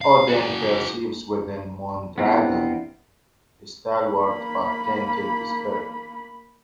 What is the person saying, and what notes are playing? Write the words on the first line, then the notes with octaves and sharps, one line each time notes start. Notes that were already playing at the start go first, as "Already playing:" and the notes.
Odin perceives within Moondragon a stalwart but tainted spirit.
F5
F#4 G#4
C3 B3 C4 D4 E4 F4
A#3 B5